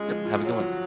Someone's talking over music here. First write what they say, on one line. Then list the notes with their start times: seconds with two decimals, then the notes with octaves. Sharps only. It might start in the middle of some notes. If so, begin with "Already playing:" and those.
Yep, have a good one.
Already playing: G#3 C#4 F4
0.09 F3
0.25 F4
0.43 F#3 F4
0.60 F3